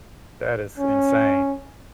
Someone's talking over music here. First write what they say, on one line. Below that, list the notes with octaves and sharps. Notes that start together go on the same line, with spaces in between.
That is insane.
C#4